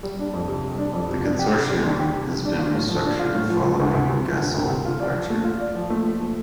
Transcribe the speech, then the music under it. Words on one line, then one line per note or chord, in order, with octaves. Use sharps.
The consortium has been restructured following Gasol departure.
G3
D4
F2
C3
G3
D4
F2
C3
D4
G4
C3
G3
D4
G4
C3
G3
D4
F4
A2
F3
D4
F4
A2
F3
F3
D2
D2
C3
F3
D2
D2
C3
F4
D5
F3
A3
F4
D5
F3
A3
F3
A3